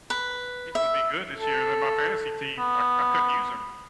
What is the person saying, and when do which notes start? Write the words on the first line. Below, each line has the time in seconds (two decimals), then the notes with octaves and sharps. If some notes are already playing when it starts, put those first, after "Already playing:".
"He's gonna be good this year," and then my fantasy team, I I couldn't use him.
0.10 B4
0.75 E5
1.37 A4
2.59 B3